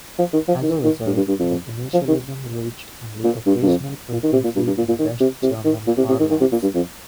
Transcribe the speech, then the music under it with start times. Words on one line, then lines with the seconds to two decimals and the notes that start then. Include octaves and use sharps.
As a result, the initialism reached only occasional frequency in West German parlance.
0.19 F3
0.33 D#3
0.48 F3
0.62 D#3
0.84 D#3
1.06 G2
1.17 G2
1.28 G2
1.39 F2
1.93 F3
2.08 D#3
3.24 A#2
3.46 G2
3.63 G2
3.68 F2
4.12 A#2
4.23 D#3
4.33 C3
4.44 A#2
4.56 G2
4.67 G2
4.78 A#2
4.88 A#2
4.99 D#3
5.20 C3
5.43 C3
5.64 D#3
5.87 A#2
5.97 C3
6.09 C3
6.20 D#3
6.30 D#3
6.41 C3
6.52 A#2
6.62 G2
6.74 F2